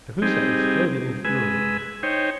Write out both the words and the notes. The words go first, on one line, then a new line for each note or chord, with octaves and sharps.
Cahusac exploded in fury.
G3 C4 D#4 G#4
G#3 B4 G#5 E6
D#4 C5 C#5 G5